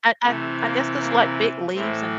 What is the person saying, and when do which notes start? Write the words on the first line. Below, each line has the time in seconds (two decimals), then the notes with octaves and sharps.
I I I guess 'cause, like, big leaves and
0.24 C3 E3 A3
0.62 A#3
1.00 A#3
1.75 A2 E3 C4